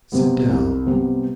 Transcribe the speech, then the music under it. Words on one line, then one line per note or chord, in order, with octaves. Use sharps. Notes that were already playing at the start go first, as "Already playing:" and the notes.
Sit down.
C3 G3 B3
C2
C3 G3 B3